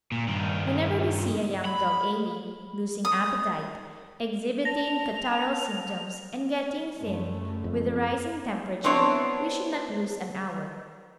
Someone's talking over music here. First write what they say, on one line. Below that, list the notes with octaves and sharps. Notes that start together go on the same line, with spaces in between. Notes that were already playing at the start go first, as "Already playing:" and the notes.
Whenever we see a young dog ailing, losing appetite, exhibiting catarrhal symptoms, and getting thin, with a rise in temperature, we should not lose an hour.
A#2
G2 D#3
B5
D#6
A5 A#6 F7
F#2 C#3 A3
F2
B3 C4 D4 E4 C5 C#5